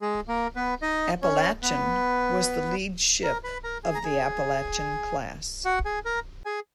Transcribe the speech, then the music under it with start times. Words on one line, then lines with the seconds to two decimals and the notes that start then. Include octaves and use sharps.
"Appalachian" was the lead ship of the "Appalachian" class.
0.02 G#3 G#4
0.28 A#3 A#4
0.56 B3 B4
0.82 D#4 D#5
1.22 C#4 C#5
1.62 B3 B4
3.23 A#4 A#5
3.44 B4 B5
3.64 A#4 A#5
3.84 G#4 G#5
3.95 A#5
4.04 G#4 G#5
5.65 F#4 F#5
5.85 G#4 G#5
6.05 A#4 A#5
6.45 G#4 G#5